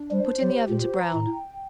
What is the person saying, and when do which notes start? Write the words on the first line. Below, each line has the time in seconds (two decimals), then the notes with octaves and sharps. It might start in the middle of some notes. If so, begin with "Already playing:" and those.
Put in the oven to brown.
Already playing: D4
0.11 G3 C5
0.41 F#3 G4
0.69 A#2 C5
0.99 A#5
1.13 A2
1.28 G5